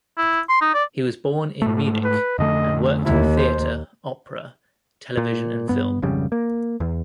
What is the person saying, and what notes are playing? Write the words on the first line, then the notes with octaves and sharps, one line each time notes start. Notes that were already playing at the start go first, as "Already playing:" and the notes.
He was born in Munich and worked in theatre, opera, television and film.
E4
C6
D#4
D5
G#2 A3
B4
F2 D3 A3 D#5
D#2 E4
C5
A#2
G2 B3
G#1 F2 C#3 G3
A#3
E2